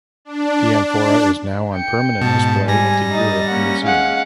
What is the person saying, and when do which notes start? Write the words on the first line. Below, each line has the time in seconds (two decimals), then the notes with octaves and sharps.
The amphora is now on permanent display at the Ure Museum.
0.25 D4
0.87 D4
1.74 G5 G6 C#7
2.22 G#2 B2 A5
2.68 G3 G#5 A#6
3.12 D#4 D#5 A6
3.48 A#3 C#4 F#5
3.83 G#3 F5 F#5